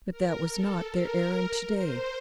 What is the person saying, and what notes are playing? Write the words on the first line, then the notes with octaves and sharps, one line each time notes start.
But that was not their errand to-day.
A#4
A4
A#4
C5